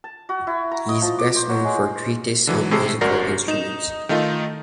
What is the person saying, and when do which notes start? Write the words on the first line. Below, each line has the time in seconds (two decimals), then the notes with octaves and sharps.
He is best known for a treatise on musical instruments.
0.04 A5
0.29 F#4
0.47 E4
0.72 A#5
0.89 D#5
1.01 F3
1.19 D6
1.36 C5
1.49 F#3
1.64 G#3
2.47 D3 E3 F#3
2.71 A2 C3 G#3 A4 C7
3.01 G1 F#2 F#4 A#4 D5 A#6
3.48 D#4 E7
4.09 D#3 A3 D#4 F4